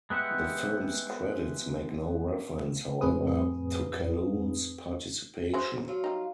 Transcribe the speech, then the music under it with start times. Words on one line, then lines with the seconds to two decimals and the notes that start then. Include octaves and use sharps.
The film's credits make no reference, however, to Calhoun's participation.
0.10 G#3 B3 G4 E5 F#5
3.01 F2 A2 C4 G#4 B4 D#6
5.54 G#3 F#4 C5
5.88 F#3 F4 F5
6.04 G3 D#4